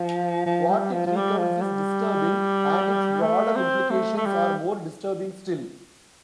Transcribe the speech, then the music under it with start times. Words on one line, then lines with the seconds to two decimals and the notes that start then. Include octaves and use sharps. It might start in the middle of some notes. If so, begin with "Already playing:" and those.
What it recounts is disturbing, and its broader implications are more disturbing still.
Already playing: F3
0.46 F3
0.69 G3
0.93 F3
1.06 F3
1.16 G3
1.38 F3
1.61 G3
3.22 A3
3.56 C4
3.90 A3
4.17 A3
4.26 G3